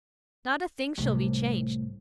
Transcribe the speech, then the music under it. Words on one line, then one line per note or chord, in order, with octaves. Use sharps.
Not a thing shall be changed.
C2 A2